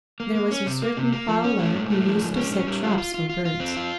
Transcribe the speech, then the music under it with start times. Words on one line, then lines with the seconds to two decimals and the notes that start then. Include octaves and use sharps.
There was a certain fowler who used to set traps for birds.
0.20 A#3
0.35 A#3
0.51 C#4
0.66 C3
0.82 A#3
0.97 C3
1.13 A#3
1.28 F3
1.44 C#4
1.59 A3
1.74 G#2
1.90 A3
2.05 F3
2.21 G#2
2.36 C#4
2.52 C#4
2.67 G3
2.83 F4
2.98 F4
3.14 F4
3.30 F4
3.45 F4
3.60 C4
3.76 F4